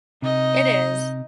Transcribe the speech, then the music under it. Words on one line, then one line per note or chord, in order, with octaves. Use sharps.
it is.
C3 D#4 D#5